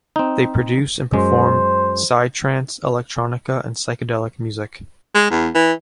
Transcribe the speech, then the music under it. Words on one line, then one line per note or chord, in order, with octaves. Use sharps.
They produce and perform psytrance, electronica, and psychedelic music.
C4 D#4
F#2 G#3 C5
G#3
E2
E3